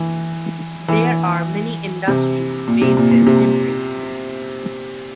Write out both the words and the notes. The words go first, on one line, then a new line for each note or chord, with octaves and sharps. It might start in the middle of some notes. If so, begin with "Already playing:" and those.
There are many industries based in Pimpri.
Already playing: E3
E3
C3
A#2
C3
A#2
A#2
C3